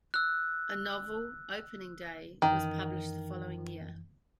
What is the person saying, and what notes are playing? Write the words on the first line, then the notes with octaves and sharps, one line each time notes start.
A novel, "Opening Day", was published the following year.
E6 F#6
F#2 D#3 E3